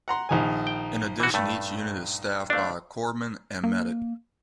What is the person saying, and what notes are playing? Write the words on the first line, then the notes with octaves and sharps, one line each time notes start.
In addition each unit is staffed by a Corpsman or Medic.
F#5 A#5 C6
A#1 D#3 G#5
G5
E3 F#4
G2 A3
A3 D4 D5 F5
A#3